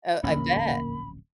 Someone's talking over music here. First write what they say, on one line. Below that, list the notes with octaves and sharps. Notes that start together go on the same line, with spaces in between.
Oh, I bet.
D1 A#1 E2 A#2 D3 A#3 C#4 B5